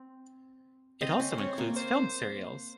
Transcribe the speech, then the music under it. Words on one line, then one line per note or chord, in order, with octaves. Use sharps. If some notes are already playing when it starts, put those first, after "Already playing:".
It also includes film serials.
Already playing: C4
C4 D#5
C#4
C5
C4 C#5
A#3
C5